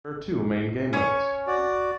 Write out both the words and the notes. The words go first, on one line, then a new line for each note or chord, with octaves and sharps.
There are two main game modes.
C#4 C#5
F#4 D5